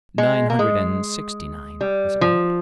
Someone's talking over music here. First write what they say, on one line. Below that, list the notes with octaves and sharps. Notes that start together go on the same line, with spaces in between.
"Nine hundred and sixty-nine, was it not?" I asked.
G#3
A#3
G#3
G3
F3